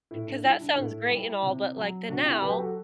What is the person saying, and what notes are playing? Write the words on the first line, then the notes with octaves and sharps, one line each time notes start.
'Cause that sounds great and all, but like the now,
A2 E4
D4
G3 E4
D4
D4
A2 E4
G3
C3
F#3
C3 D4 F#4
E4 G4
F#3 G4 B4
F#4 A4